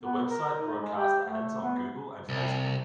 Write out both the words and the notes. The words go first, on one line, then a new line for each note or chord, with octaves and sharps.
The website broadcast ads on Google and Facebook.
B3
A#4
D#4
G#3
G4
A3
B3
C2